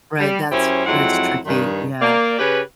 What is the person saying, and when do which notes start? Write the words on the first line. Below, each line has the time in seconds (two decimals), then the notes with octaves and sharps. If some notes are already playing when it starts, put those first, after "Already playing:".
Right, that's that's tricky. Yeah.
0.20 G3
0.51 F#2 C#4 E4 G4 C5
0.86 F2 F#3 G#3 C4 E4 F#5
1.46 G2 D#3
2.01 A#3 D5
2.39 C#3 C#4 G4 B4